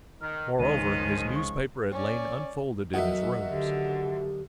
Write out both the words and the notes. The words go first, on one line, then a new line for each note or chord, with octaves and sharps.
Moreover, his newspaper had lain unfolded in his rooms.
D#3 F6
C#2 D#3 F3 G#3 C#4 D#7
C#6
C#4 D5
B1 D#3 F#3 D#4 F#4 E5
D3 G4